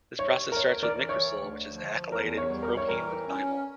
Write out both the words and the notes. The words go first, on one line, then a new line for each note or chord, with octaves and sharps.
This process starts from m-cresol which is alkylated with propene to thymol.
G3 C#5
A#4
D2 C#5
A#4 D5
E3
C#5
D2
F3
E2 A#4
C#5
G3
A#4
C#5
E3 A#4
C#4